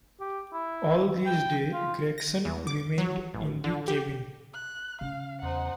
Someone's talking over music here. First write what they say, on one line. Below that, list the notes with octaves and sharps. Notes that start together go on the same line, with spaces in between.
All this day Gregson remained in the cabin.
G4
E4
G5
F4
A#6
E2
D6
F#3
A1
D3
G4
F#6
C#3 F5
E2 D#4 C5 F#5